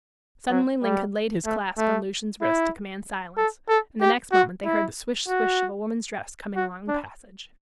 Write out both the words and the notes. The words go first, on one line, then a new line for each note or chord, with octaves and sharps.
Suddenly Link had laid his clasp on Lucian's wrist to command silence, and the next moment they heard the swish-swish of a woman's dress coming along the passage.
F#3
G3
A3
A3
E4
A4
A4
G4
F#4
E4
F#4
F#4
D4